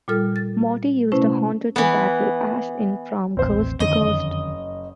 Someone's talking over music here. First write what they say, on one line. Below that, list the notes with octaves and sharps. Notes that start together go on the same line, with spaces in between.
Morty used a Haunter to battle Ash in "From Ghost to Ghost".
A#2 G3 F4 A4 F6
A6
C3 A3 C#4 E4 B4 C5
E3 B3
D#1 A1 C4 C5
F#1 F2 D3 D#3 D#5